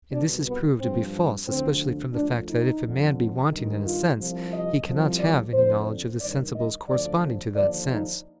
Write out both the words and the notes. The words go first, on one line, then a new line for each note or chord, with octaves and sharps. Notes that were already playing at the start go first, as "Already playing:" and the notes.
And this is proved to be false especially from the fact that if a man be wanting in a sense, he cannot have any knowledge of the sensibles corresponding to that sense.
C2 B2 D4
B3
G2 F3 C4
D2 D3 F3 C4
D2 D3 F3 D4
D#4
F2 D3 F3
G2 D#3
F4
C2 C3 F3
D#5
C2 C3 F3
D5
F2 D3 F3 C5
G2 D#3 D5
D#5
D2 D3 F3 D5
D#2 D3 F3 D5
D#4